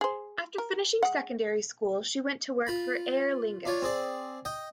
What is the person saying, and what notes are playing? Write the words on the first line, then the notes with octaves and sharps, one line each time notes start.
After finishing secondary school she went to work for Aer Lingus.
G#4 C5
A#4
G#3 F#5
F4 B5
D4 F4 C#5
C4 G#4 D5
D#5 G5